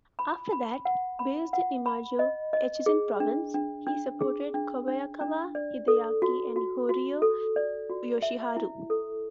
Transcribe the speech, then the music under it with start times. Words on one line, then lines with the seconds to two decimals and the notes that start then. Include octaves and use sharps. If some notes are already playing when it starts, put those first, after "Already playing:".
After that, based in Imajo, Echizen Province, he supported Kobayakawa Hideaki and Horio Yoshiharu.
0.19 B5
0.52 B5
0.85 F#5
1.19 B5
1.53 F#5
1.86 B5
2.19 D#5
2.53 D#5
2.86 G#4
3.20 D4
3.54 D4
3.87 D4
4.21 G#4
4.54 D4
4.88 D4
5.21 D4
5.55 D5
5.88 A4
6.22 F#4
6.56 F#4
6.89 F#4
7.22 A4
7.56 D5
7.90 F#4
8.22 E5
8.56 E4
8.90 A4